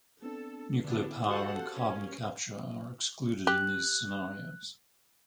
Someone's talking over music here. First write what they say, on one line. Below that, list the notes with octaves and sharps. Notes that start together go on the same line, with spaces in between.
Nuclear power and carbon capture are excluded in these scenarios.
B3 C4 D4 A4
D3 B3 D4 E4
F#4 G4 A4 C5 F5 F#5
A#3 C#4
G4 F#6